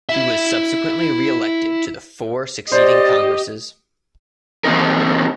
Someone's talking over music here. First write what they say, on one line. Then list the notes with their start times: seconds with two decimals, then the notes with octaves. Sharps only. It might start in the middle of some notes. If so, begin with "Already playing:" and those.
He was subsequently reelected to the four succeeding Congresses.
0.09 E4 E5
2.72 G4 C5 D5 D#5
4.64 E3 A#3 C4 D#4 A#4